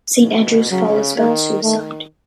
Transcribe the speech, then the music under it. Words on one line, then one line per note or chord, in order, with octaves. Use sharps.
"Saint Andrew's Fall" is about suicide.
B2
C#3 F#3
D#3 A#3
D#3 A3